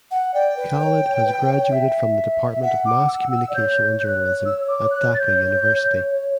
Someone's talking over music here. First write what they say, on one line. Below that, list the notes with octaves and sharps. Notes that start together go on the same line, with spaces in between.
Khaled has graduated from the Department of Mass Communication and Journalism at Dhaka University.
F#5
D5 G5
B4
C#5
C#5
B4
C#5
E5
E5
E5 F#5
D6
E6
E6
D5
C#5 G6
G6
F#6
E6
D6
F#6
A6
G6